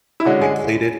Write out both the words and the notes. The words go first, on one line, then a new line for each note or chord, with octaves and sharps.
We played it
E4
D3 G#3 C#4 F#4
G#4